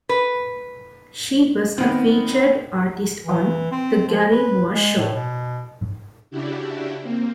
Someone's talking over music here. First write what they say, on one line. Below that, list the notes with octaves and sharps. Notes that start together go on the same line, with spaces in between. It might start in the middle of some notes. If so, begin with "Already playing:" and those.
She was a featured artist on "The Garry Moore Show".
B4
D#3 B3 C4
E3
C4
F3
B4
G#3
A2
B2
C#3 D4 E4 F#4 G4
A#3 C4